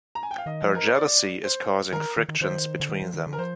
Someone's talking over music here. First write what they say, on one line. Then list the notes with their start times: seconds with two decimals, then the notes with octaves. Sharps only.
Her jealousy is causing frictions between them.
0.15 A#5
0.23 G#5
0.31 G5
0.38 F5
0.46 D#3 D#5
0.62 F3
0.75 A#4
0.85 C5
0.95 D5
1.44 C5
1.92 D#3 A#4
2.17 D#3
2.29 D#3
2.41 D#3 C5
2.80 D3
2.89 D#3
3.02 F3
3.14 D#3
3.27 D3
3.33 A#4
3.38 F3 C5